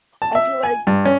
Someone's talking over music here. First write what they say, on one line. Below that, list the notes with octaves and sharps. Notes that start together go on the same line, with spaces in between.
I feel like
A5
E5
G#5
G2
C#4